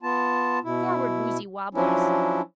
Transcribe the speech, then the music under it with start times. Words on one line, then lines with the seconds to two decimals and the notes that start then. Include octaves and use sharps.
Forward, woozy wobblers!
0.03 B3 F4 A5
0.64 B2 E4
1.75 F3 F#3 C#4 D4 E4